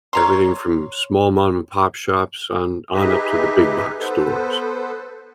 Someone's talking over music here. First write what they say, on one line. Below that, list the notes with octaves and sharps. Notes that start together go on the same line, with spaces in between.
Everything from small mom and pop shops on on up to the big box stores.
C#5 A#5 C6
D#4 G4 G#4 B4 D#5 E5
B3 A4 B4 C5